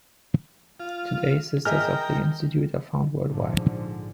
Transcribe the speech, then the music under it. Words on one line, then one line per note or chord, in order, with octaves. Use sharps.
Today, Sisters of the institute are found worldwide.
F4
G#4 A#4 D#5 E5 G5 F6
A#1 G#2 D3 F3